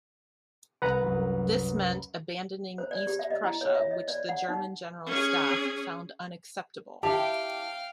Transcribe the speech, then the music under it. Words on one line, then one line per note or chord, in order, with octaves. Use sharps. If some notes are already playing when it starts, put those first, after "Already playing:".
This meant abandoning East Prussia, which the German General Staff found unacceptable.
C2 B4 F#5 A#5
C2 F#2
C5
D5
G4
E5
D#5
E4
C#5
E5
D#5
D5
F#5
D#4
C#4 G#4
E4 G4 F5 G5 A5